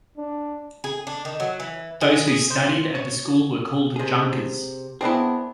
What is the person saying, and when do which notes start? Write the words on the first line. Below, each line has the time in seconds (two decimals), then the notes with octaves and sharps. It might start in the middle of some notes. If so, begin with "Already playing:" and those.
Those who studied at the school were called junkers.
0.17 D4
0.84 G#4
1.07 D4
1.25 D#3
1.40 F#3
1.60 E3
2.01 G#4
2.27 G#4
2.50 C5
2.95 C#5
3.96 C3 G#4
5.01 B3 C4 D4 E4 G#4